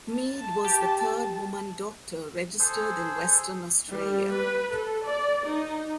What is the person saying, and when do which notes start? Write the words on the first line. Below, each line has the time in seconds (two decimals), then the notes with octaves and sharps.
Mead was the third woman doctor registered in Western Australia.
0.11 A5
0.64 G4
2.59 G#4 A4 C5
3.89 G3
4.32 B4
4.73 A4
5.04 D5
5.46 D#4